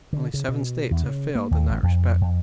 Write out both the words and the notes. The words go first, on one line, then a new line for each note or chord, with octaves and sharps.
Only seven states have failed in that respect.
D3
C#3
B2
E2
C#3
A#3
D#2
A1
F2
F2